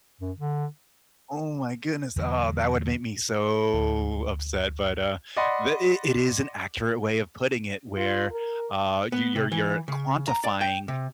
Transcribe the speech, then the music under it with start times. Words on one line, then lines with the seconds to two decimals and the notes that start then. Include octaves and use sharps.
Oh my goodness, ah, that would make me so upset, but, uh, the it it is an accurate way of putting it where, uh, you you're you're quantifying
0.21 F#2
0.37 D3
2.16 E2 D3 F#3
3.73 D2
5.37 D5 D#5 F#5 B5 C6
7.97 F4
8.32 A#4
9.12 B3
9.36 C3
9.52 E3
9.88 C#3
10.28 A#5
10.44 D5
10.61 G5
10.88 C3